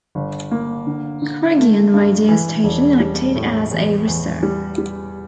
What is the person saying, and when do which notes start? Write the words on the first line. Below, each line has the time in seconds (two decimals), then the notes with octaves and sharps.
Criggion radio station acted as a reserve.
0.15 G1
0.51 A#3
0.87 D3
1.22 D3
1.57 A3
1.94 G2
2.29 E3
2.64 E1
3.00 G3
3.35 A2
3.71 E2
4.07 E2
4.43 G3
4.78 G3